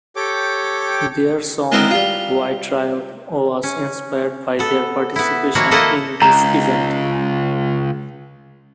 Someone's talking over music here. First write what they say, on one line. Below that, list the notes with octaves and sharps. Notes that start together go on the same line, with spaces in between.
Their song "White Riot" was inspired by their participation in this event.
G4 A4 C#5 G5 D6
G#3 B3 C4 E4 A#4 F#5
G3 F4
C#4
B3 A4
B3 E4
D#3 F3 A#3 E4 F#4 C#5
A#3 E4 A4 C5 D#5 F#5
C#2 A#5